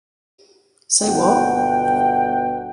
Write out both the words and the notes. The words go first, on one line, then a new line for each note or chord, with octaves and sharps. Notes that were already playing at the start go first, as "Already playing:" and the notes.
Say what?
G1 B2 B3 F#5 G5